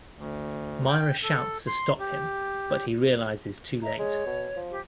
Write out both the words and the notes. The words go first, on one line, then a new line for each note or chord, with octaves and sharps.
Myra shouts to stop him but he realizes too late.
D2
G5
A4
C6
G4
D#5 E5 A#5
G#3 C#5
B2
F3
G4